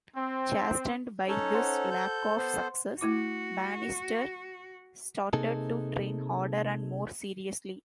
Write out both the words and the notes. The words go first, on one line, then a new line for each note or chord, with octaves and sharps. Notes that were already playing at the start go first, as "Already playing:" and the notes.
Chastened by this lack of success, Bannister started to train harder and more seriously.
C4
C#4 D#4 A4 C#5
C5 F#5
C6 G6
B3 C5
A3 E4 F#4 D6
C3 A#3 D#4 G#4 A4